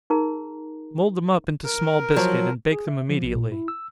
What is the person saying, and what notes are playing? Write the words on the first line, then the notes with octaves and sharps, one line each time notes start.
Mould them up into small biscuit, and bake them immediately.
D#4 G#4 A#4 A#5
A#4
F3 F#3
G#4
E5
F3
A#1
A#2
E4
E6